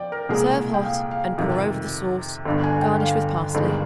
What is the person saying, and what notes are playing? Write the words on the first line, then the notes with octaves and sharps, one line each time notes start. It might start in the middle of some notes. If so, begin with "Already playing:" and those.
Serve hot, and pour over the sauce; garnish with parsley.
Already playing: F3 D5 G5
A#4
C2 A#2 G#3 G#4
G5
F5
F5
F2 C3 D#3
G1 G2 D3
G#5
G5
F5
G1 G2 D#3 G#3